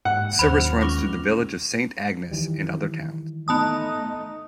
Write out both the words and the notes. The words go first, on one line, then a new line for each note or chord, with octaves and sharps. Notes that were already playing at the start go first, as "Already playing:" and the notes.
Service runs through the village of Saint Agnes and other towns.
G#2 F#5
D#2 C5 B5 F6
F#2
C#2 C#6 D6 A#6
D#3 E3 G3
A3 B3 D#4 A5 D#6